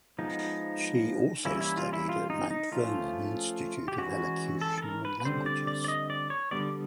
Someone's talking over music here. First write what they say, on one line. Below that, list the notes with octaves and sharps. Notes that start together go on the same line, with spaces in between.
She also studied at Mount Vernon Institute of Elocution and Languages.
F3 G#3 B3 D#4
E3 G3 A#3 C#4 E4
E4
F4
E4
F4
D#4
D#4
F3 A3 C#4 F4
G4
E3 G#3 C#4 F#4
A4
A4
A#4
B4
B4
D3 G3 C4 C5
D5
D5
D5
D#5
D5
C#5
D3 G3 B3 D5